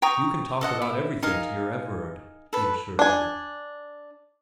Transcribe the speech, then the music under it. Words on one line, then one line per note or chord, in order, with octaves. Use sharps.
'You can talk about everything to your Everard,' he assured her.
G5 A#5 C#6 D#6
A4 D#5 F#5
E4
D#4 G#4 A#4 F5
A4 B4
D4 G#5